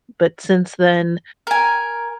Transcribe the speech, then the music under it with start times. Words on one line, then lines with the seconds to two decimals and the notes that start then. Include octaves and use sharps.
but since then,
1.47 A#4 G#5